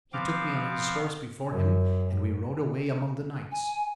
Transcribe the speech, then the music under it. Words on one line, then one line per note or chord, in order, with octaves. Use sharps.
He took me on his horse before him and we rode away among the knights.
F3 B3 C4 F5 D6
F#2
G#5